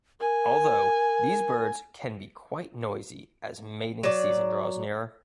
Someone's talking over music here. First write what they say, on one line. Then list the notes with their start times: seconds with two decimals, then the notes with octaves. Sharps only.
Although, these birds can be quite noisy as mating season draws nearer.
0.20 A#4 G#5
4.03 F#3 D5